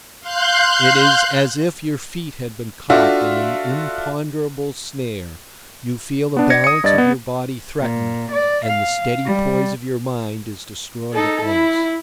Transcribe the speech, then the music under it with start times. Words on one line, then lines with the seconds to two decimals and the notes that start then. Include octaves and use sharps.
It is as if your feet had been caught in an imponderable snare; you feel the balance of your body threatened, and the steady poise of your mind is destroyed at once.
0.20 F5 C6 F#6 G6
2.90 D4 F4 F#4 A4 E5
6.37 B3 D4
6.50 D5 G#6 A#6 C#7
6.64 D#6 C#7
6.84 G2 D5 D#5 A6
6.98 B3
7.80 A#2
8.32 D5
8.65 F5
9.25 G3
11.14 D#4 A4
11.45 E4